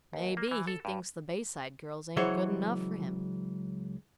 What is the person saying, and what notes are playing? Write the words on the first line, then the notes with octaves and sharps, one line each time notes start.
"Maybe he thinks the Bayside girls ain't good enough for him."
D#2
A#3
E3
A4
G2
C#2 E3 F#3 G#4 C5 C#5